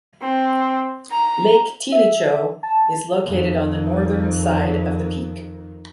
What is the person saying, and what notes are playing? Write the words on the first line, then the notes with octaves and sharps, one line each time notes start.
Lake Tilicho is located on the northern side of the peak.
C4
A#5
E5
A5
F2 D#3